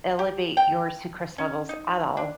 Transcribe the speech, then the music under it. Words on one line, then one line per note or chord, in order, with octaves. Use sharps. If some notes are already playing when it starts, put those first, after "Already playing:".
elevate your sucrose levels at all.
G4
G5
C#4
D#4
D4